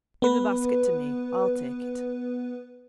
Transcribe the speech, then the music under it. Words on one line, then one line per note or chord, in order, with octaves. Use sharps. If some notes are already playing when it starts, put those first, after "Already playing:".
'Give the basket to me,--I'll take it.'
B3 B4